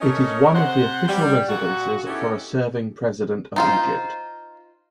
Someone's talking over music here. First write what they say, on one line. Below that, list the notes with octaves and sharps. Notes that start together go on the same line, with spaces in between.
It is one of the official residences for a serving President of Egypt.
A3 C#4 A#4 C#5 D#5
C3 C5 F#5
G3
A#2 F#4 F#5
B3 C#4 D#4 E4 G4 A4
D#4 F4 C5